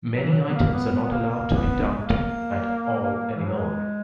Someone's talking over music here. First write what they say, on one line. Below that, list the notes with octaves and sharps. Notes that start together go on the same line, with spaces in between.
Many items are not allowed to be dumped at all anymore.
F#3
E3
F#3
B3
A#3
B3
B3
B3
A#3
A#3
B3
G#3
A#3
E3
F#3
G#3